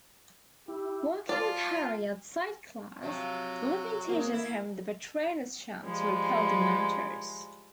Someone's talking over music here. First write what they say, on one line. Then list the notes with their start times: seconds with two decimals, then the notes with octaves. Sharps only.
Working with Harry outside class, Lupin teaches him the Patronus Charm to repel Dementors.
0.68 E4 G4
1.29 F3 F4 D5 D6
3.03 C3 F3 F#3
4.08 G#3 A#3 C4
4.33 E4
5.83 F3 G3 G#3